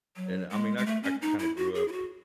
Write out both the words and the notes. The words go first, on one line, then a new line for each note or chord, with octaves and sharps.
and I mean, I I kinda grew up
F#3
G#3
G#3
A3
C#4
D#4
E4
F#4
G#4
E4
F#4